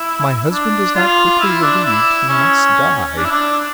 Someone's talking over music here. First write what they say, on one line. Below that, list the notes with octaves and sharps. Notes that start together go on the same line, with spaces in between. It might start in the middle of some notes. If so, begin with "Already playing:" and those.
"If my husband is not quickly relieved, he must die."
Already playing: E4
D4
F4
E4
D4
E4
C#4
D4
E4
D4